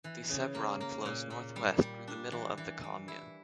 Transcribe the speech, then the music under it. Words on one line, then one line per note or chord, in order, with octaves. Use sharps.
The Sevron flows northwest through the middle of the commune.
E3
C#3
A#3
A#3
A#2
A#2
G3
G3
D4
E3
E3
E3
E4